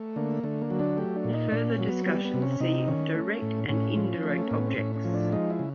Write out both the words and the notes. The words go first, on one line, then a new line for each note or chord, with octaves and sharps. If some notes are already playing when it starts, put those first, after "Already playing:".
For further discussion, see 'Direct and indirect objects'.
Already playing: A3
D3 A#3
D3 A3
A#3
F#3
D4
A3 G4
D4
A#2
D#4
A#2 D4
C#4
F#3
B3
G3 B3
B3
C3
C#4
C3 D#4
D#3 C#4
A3
A2
A2 C#4
F3
A3
A3
A2 A#3
B3
C4
A2 C#4
C#4
F3
D4
G#3 D#4
E4
C#3